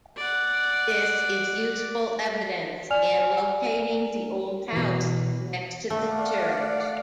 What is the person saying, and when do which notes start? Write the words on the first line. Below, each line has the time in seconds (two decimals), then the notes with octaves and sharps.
This is useful evidence in locating the old house next to the church.
0.17 D5 F#5
2.90 D5 G#5 F6 F7
4.73 B2 E3
5.90 A3 D5 F5 F#5